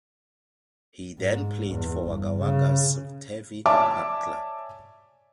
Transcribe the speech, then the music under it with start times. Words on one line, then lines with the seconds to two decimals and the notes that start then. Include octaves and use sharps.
He then played for Wagga Wagga's Turvey park club.
1.19 G#2
1.70 E2
2.05 G1
2.37 C#3
3.65 C#5 D5 E5 G#5 A5 D6